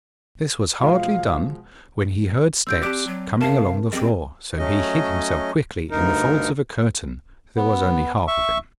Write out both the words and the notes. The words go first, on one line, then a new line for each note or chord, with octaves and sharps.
This was hardly done when he heard steps coming along the floor, so he hid himself quickly in the folds of a curtain. There was only half of him!
B2 F3 G#3 F5
C4 C#4 F#4 E6 G6 D7
C4 G4 D5 A5 D6 F#6 D7
F#3
C3 A#4 F5 A5
G3 C4 G#4 D#5
F#3 A3 C#4 D#5
D2 G2 D#4 A#4
B3
E5 C#6